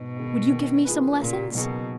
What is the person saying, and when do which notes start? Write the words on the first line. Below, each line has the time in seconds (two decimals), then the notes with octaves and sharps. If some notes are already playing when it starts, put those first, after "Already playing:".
Would you give me some lessons?'
Already playing: G#2 B2
0.17 D#3 G#3 B3
0.50 D#3
0.85 A#3 F4 G#4 B4
1.20 A#2 C#3
1.54 B2 F#3 A#3 D#4 G#4